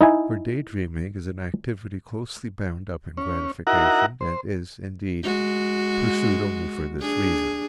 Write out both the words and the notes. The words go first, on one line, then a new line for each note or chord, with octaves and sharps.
For day dreaming is an activity closely bound up in gratification and is, indeed, pursued only for this reason.
D#4 E4 G#5
C#4
D#4 E4 F#4 A#4 F#5 A#5
C5
G#3 F#4
D4 G#4